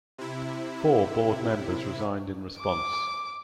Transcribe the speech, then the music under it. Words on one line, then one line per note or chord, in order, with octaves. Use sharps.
Four board members resigned in response.
C3 E4
D6